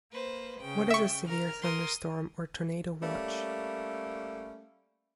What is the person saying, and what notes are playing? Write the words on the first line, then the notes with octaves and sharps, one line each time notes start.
What is a Severe Thunderstorm or Tornado Watch?
A#3 B4 C5
C#3 G5
E5 C#6
A#4 F6
A#4 C6 D#6
G3 A3 A#3 C#4